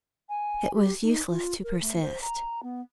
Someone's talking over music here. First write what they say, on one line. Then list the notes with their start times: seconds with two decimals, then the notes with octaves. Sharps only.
It was useless to persist.
0.29 G#5
0.74 G4
1.03 D#4
1.30 F4
1.64 A#4
1.81 A3
2.02 C5
2.22 A#5
2.63 B3